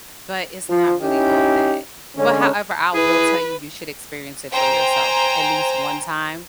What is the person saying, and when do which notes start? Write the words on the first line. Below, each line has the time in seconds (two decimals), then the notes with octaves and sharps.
But, it's not really all that, but however, I will tell you, you should experience it for yourself at least one time.
0.70 F3
1.03 C#4 D#4 E4 G4
2.17 D3 G#3 C#4
2.94 E4 G#4 B4
4.52 C5 G5 G#5 A#5